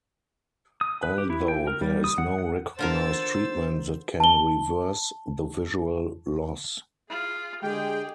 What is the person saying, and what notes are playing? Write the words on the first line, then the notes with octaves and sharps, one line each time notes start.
Although there is no recognized treatment that can reverse the visual loss.
D#6
B4
G4
E4
G5
A#4
G3
D#6
F#5
F#5
D3 F4 A#4 C5 E6 A6
A5 G7
F4 G#4
D3 G#3 G4 G#4 G5